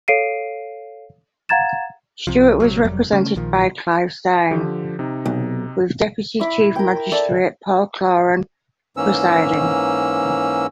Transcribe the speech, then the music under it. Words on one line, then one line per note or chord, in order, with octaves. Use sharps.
Stewart was represented by Clive Steirn, with Deputy Chief Magistrate Paul Cloran presiding.
A4 C#5 F5 C7 D7 D#7
F5 F#5 A#5 G#6 A6 E7
C2 C3 F3
A#1 C3 F#3
F1 F2 F#3 G3
C#3 A3 C#4
A#1 A#2 D#3 F3
D3 F3 G4
C3 D#4
B1
E4 D6
A#4 G5
A4 D5 E5
G#2 E3 A#3 C#4 E6